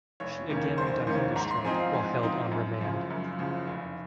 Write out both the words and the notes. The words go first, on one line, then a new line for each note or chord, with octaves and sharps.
She again went on hunger strike while held on remand.
F1 C#5
D#2 D#3 A#3 C#4
F1 C5
D#2 D#3 A#3 C#4 C5
G#2 A#5
C6
F3 C4 D#4 G#5
F5
G#2 G#5
F3 C4 D#4
F#2
C#3 F3
F#2
C#3 F3
F1